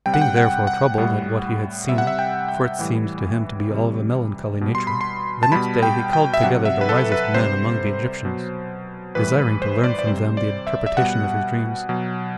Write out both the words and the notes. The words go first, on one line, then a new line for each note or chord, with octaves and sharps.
Being therefore troubled at what he had seen, for it seemed to him to be all of a melancholy nature, the next day he called together the wisest men among the Egyptians, desiring to learn from them the interpretation of his dreams.
C3 G3 G5
F#5
G5
F#5
F#5
A2 G3
C3 G3 E5
F#5
E5
G5
G5
A2 E3 G3
C3 E3 G3
B2 G3
C6
B5
C6
A5
B2 G3 B5
G5
G5
E5
C3 F#3 F#5
E5
B4
A4
B4
C3 G3 C5
B2 F#3
A2 E3 G3 B4
B4
C5
D5
D5
C3 G3 C5
D5
E5
E5
B2 G3 F#5
B2 F#3